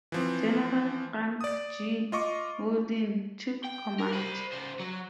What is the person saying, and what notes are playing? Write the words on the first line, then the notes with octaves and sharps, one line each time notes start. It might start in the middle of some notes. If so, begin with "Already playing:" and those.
General Frank G. Mauldin took command.
E3 F3 C4
D5 D#6
F4 D#5 C#6 D6
G5
A#4
C5 B5
C#3 C5
F#3